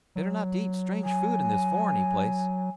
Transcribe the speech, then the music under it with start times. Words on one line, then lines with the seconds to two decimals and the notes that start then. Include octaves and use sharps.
Better not to eat strange food in this foreigny place.
0.16 F#3
1.04 G#5